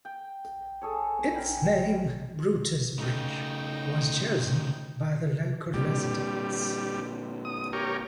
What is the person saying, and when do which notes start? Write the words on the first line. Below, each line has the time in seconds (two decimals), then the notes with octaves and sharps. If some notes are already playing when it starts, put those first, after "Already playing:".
Its name, Brutus Bridge, was chosen by the local residents.
0.05 G5
0.82 G#4 A4 C#5
1.33 A#4 G5 G#5 B5
2.98 C#3 A3 D#4 G5
5.74 A#2 D3 G3
7.45 D#6
7.73 G4 A#4 C#5